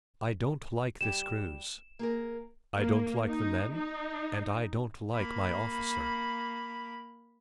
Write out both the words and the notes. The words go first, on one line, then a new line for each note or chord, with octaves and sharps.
I don't like this cruise; I don't like the men; and I don't like my officer.
G3 G4 E7
A#3 G#4 A#4
A#3
D#4
D#4
A#3 B5